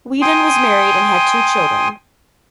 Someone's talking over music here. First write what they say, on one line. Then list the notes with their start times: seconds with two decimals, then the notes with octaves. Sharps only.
Weedon was married and had two children.
0.22 G5 G#5 C6 D#6